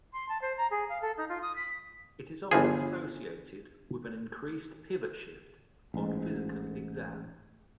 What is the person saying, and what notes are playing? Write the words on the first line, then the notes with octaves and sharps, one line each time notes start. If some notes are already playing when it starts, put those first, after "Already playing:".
It is often associated with an increased 'pivot shift' on physical exam.
C6
A5
C5
A#5
G#4
F5
A4
D#4
F4
D#6
B6
G1 E3 F3 G#4
A1 G#2